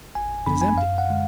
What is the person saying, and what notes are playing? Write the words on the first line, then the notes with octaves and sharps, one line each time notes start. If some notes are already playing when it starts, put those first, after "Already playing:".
It is empty.
G#1 G#5
F#2 F3 B3 D4 B5
G#5
F#2 F5
F#5
D3 G#3